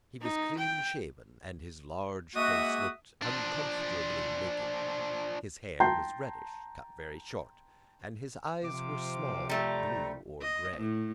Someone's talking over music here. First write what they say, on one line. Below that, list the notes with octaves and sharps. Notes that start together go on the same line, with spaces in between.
He was clean shaven, and his large face looked uncomfortably naked. His hair was reddish, cut very short, and his eyes were small, blue or grey.
D#4
G5
G#3 A#3 F#4 E5 D#6
F3 D4
G5 A5 A#5 C6 G6 C7
C3 F3 D6
G3 A3 A#5
D#5
A2